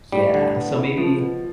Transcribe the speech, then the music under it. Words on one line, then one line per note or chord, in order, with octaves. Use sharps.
Yeah, so maybe
A2 G3
D3
B3
E4
F3 A3
B2